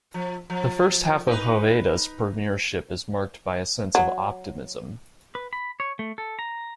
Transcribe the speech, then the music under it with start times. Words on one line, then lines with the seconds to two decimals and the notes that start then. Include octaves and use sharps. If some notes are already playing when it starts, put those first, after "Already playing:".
The first half of Hoveyda's premiership is marked by a sense of optimism.
0.14 F3
0.50 F3
1.27 D#4 B4
3.95 F#3
5.35 B4
5.53 B5
5.80 C#5
5.99 A3
6.18 A4
6.39 A#5